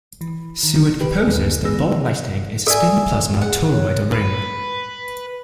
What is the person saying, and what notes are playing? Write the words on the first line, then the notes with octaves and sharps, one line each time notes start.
Seward proposes that ball lightning is a spinning plasma toroid or ring.
E3
D#3
G4 B4
D#2 D3 G#4
E3 G#3 B3 G#4 E6 A#6
A4 D5 E5 G#5
G#4 F#5
C#5
B4